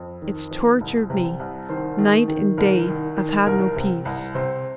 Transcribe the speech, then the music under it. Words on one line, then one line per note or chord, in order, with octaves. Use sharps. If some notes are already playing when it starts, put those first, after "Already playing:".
It's tortured me--night and day--I've had no peace.
Already playing: F2
D#3
F2
C2
C3
C2
D#3 C5
D#3
D#3
C2 A#4
D#3
D#3
C2 A#4
C3
C2
C3 C5